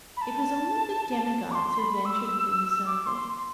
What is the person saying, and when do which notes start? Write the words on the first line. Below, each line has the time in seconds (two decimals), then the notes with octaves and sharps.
It was only the demigods who ventured within the circle.
0.17 B5
0.21 A5
1.25 A5
1.51 D6
1.55 C6
1.78 B5
2.05 E6
2.86 D6
3.06 C6